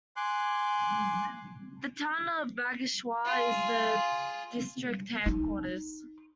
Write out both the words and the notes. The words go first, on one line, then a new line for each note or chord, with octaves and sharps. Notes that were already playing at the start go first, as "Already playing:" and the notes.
The town of Bageshwar is the district headquarters.
G#5 C6 D6 F#6
F4 G#4
D#4